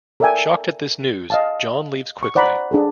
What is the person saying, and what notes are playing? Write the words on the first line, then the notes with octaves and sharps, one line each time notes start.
Shocked at this news, Jon leaves quickly.
A4 A#4 D5 E5 G5 G#5
D#5 F5 A5
C#6
C5 D5 F#5 A#5 B5
D4 G#4 A4